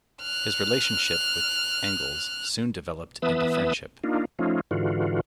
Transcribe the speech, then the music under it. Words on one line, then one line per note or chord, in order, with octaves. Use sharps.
His relationship with Engels soon developed into friendship.
F6 F#6
E3 B3 B4 E5 A5 D#6
A#3 D4 D#4 F4
F3 A3 C#4 D#4 F4
G#2 D3 E3 F4 F#4